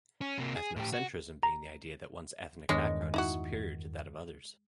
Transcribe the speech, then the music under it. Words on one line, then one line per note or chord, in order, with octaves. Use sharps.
Ethnocentrism being the idea that one's ethnic background is superior to that of others.
C#4
C3 A#3
G#4
A2 G4
F#4
A#5
E2 G2 D#3 G#3 B3 D4 C#5
D#4 E4 F#4